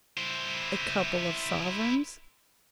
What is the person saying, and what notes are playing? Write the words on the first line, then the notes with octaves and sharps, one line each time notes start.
'A couple of sovereigns.'
E4 C5